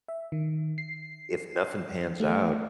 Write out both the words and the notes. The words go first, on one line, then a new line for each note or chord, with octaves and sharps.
if nothing pans out,
E5
D#3
C7
A3